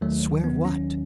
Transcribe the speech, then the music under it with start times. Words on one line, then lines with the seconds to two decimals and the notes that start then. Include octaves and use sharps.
"Swear what?"
0.01 D#2 D#3 F#3 A3
0.44 B3
0.65 C#4